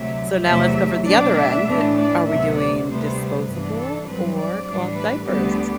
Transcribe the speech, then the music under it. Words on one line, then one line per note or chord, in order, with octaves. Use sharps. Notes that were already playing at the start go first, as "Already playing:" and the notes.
so now let's cover the other end. Are we doing disposable or cloth diapers?
Already playing: D2 C3 F#3 E5
E2 C3 F#3 A3 E5
B2 A3 D4 D5
E5
A2 E3 A3 D4
D5
D2 C3 F#3 B3 E5
D5
D2 C3 G3 B3 C5
G2 E3 B3 D4 B4
A4
G2 F#3 C4 B4
D5
A2 E3 G3 D4
B4
D2 D3 G3 B3 G4